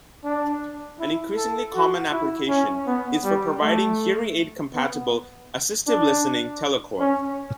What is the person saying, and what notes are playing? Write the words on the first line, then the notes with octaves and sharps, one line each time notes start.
An increasingly common application is for providing hearing aid-compatible "assistive listening" telecoil.
D4
E4
A4
F#4
E4
C#4
B3
G3
A3
B3
D4
C#4